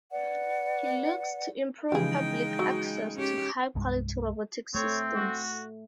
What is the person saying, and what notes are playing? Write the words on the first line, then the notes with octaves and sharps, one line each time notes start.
He looks to improve public access to high quality robotic systems.
B4 D5 F#5
C#3 E3 F3 G#3 D#4 G4 G#4 G5
F#3
C#4 G4
C2 G2 G#3
A3 C4 C#5
F#4